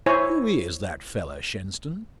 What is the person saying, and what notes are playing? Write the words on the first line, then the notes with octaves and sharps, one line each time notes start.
"Who is that fella, Shenstone?"
E4 C5 C#5 G#5